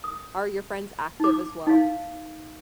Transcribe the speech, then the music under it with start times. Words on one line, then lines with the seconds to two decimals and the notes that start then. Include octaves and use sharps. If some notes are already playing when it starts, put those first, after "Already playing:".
Are your friends active as well?
0.04 D#6
1.20 D#4 D6
1.67 D#4 F5